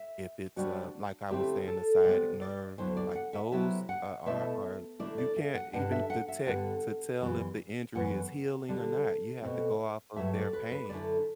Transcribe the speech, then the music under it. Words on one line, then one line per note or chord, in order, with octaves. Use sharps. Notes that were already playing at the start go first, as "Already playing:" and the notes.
if it's, uh, like I was saying, the sciatic nerve, like those a are are you can't even detect to tell if the injury is healing or not, you have to go off of their pain.
Already playing: E5
C3 G3 D4 F#4
D3 A3 C4 E4 G4
A4
C3 G3 B3 D5
D5
D2 D3 F#3 B3 E4 C5
D5
F#5
E5
C3 F#3 B3 E4 E5
F#5
B2 A3 E4 E5
D3 A3 E4 D5
D5
E5
F#5
G2 D3 G3 D4 F#5
E5
F#5
E5
G2 D3 G3 B3 F#5
F#2 E3 G3 B3
F#2 E3 B3 F#5
D3 G3 D4
B2 A3 C4
G2 F#3 A3 E5
D5
B4
B4
F#2 D3 A3 E4 D5